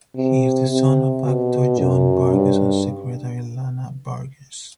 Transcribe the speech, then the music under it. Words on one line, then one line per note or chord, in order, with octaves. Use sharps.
He is the son of actor John Burgess and Secretary Lana Burgess.
C3
C3
B2
F#2
G2